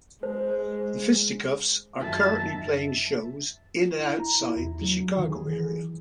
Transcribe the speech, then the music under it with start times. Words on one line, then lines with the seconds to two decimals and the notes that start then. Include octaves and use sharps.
The Fisticuffs are currently playing shows in and outside the Chicago area.
0.23 G#3 C5
1.99 F#2 D#3 F#3 E5 A5
4.00 E4
4.20 A#5
4.41 E4
4.56 E2
4.81 F#3
5.17 D#3
5.30 G#4
5.46 E3